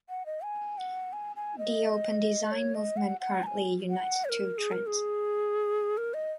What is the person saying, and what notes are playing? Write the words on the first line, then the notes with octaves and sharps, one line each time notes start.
The open-design movement currently unites two trends.
F#5
D#5
G#5
F#5
G#5
G#5
D#5
C#5
D#5
F#5
F#5
A#5
G#5
F#5
C#5
A#4
G#4
A#4
G#4
A#4
D#5